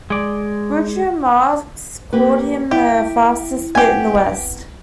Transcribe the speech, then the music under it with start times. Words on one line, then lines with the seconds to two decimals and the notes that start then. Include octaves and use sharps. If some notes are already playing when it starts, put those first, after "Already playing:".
Groucho Marx called him The Fastest Wit in the West.
0.10 G#3 D5
2.13 A#3 G4 B4
2.71 E4 G4
3.75 B3 C4 G4 G#5